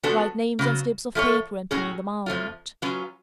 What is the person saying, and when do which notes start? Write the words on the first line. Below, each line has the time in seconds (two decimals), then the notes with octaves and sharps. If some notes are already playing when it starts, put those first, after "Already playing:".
Write names on slips of paper and pull them out.
0.03 F3 B3 D4 F#4 A4
0.59 C#3 F#3 B3
1.15 F3 A3 F4 A4 C#5
1.71 A2 F#3 C#4 G#4
2.26 F2 F3 A3 F4
2.82 F#3 C#4 F4 B4